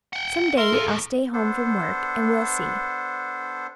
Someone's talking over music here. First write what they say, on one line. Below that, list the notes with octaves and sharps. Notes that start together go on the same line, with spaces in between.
"Some day I'll stay home from work, and we'll see."
F#5 G5
A#4 E5 C6
F#2 F4 G#4 A4
D#2 A2
B3 D4 A4 C5